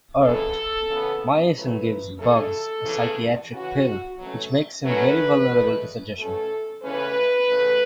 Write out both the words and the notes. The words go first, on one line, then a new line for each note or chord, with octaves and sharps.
Irked, Myicin gives Bugs a psychiatric pill which makes him very vulnerable to suggestion.
F#2 C#3 F#3 B3 A4
C#3 E3 B3
C#3 F#3 A3 B4
F#2 C#3 A3 A4
E2 C#3 E3
C#3 E3 C#4 F#4
B2 F#3 A3 C#4
F#2 F#3 A3 C#4 B4
E2 B2 A3
B2 A3 C#4 A4
E2 C#3 E3 A3 C#4 B4
E2 C#3 A3